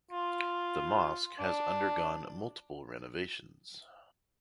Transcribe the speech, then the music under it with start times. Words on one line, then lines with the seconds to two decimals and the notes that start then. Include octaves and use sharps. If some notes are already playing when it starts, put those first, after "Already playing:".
The mosque has undergone multiple renovations.
0.11 F4
1.39 D4